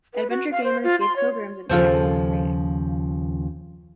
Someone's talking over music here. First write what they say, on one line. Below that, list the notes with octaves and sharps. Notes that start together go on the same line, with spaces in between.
Adventure Gamers gave Pilgrims an "excellent" rating.
B4
F#4
F5
C5
F4
C6
C#5
D#2 C#3 F3 F4 A4 C5